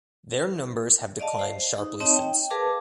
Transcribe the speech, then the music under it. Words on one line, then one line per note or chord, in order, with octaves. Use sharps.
Their numbers have declined sharply since.
D5 D#5 F5 A5
C5
D#4
C4 D#4 C#5 D#5 A5
G5
G#4 A#4 B4 F5 A5 D6